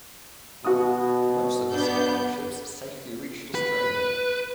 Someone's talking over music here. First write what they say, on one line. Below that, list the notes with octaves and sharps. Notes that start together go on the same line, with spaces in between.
Most of the surviving ships safely reached Australia.
B2 F#4 D#6
B3 D4 G6
B4